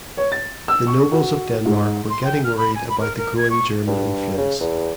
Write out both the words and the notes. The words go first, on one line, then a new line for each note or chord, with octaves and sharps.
The nobles of Denmark were getting worried about the growing German influence.
C#5
A6
E6
C#6
F#4
G#2
C6
G5
F6
B5
G#5
B5
A#4
A#4
G#6
C#6
G2
C#3
E2